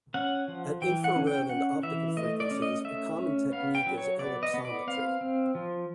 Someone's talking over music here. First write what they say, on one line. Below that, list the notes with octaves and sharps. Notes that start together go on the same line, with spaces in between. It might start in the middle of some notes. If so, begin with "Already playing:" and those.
At infrared and optical frequencies, a common technique is ellipsometry.
C#4 F#5
F3
E3 G5
F#5
C#4
G5
C#4 F#5
E3 E5
A3 D#5
D5
C#4
D#5
A3 E5
C#4
B3 F5
G5
F#3
C#5
B3 D5
D#5
B3
D5
C4 F5
C4
F3